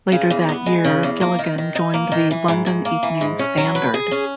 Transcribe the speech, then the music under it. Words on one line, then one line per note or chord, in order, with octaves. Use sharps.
Later that year Gilligan joined the "London Evening Standard".
C#3
E2
B3
G#3
C#3
E2
A#3
D#3
D#3
D#4
A#3
D#3
E3
G#2
G#2
A#3
E3
G#2
C#4
F#3
B4
G#4
C#4